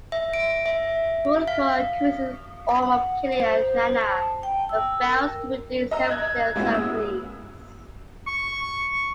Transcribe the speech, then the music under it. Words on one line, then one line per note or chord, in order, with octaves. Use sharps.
Vulko accuses Orm of killing Atlanna, but fails to produce evidence and flees.
E5
D7
E5
F5
F#5
C5
A5
G5
E6
A#4
D#5 A#5 E6
F#6 G#6
G#3 A#3 B3 C#4 E4 F#4
D#6 E6
C#6